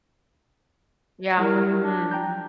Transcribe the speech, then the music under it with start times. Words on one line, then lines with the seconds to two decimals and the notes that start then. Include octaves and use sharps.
Yeah. Mm.
1.38 G3 E4 G4 A#4
1.79 D4
2.11 G5 A#5 G6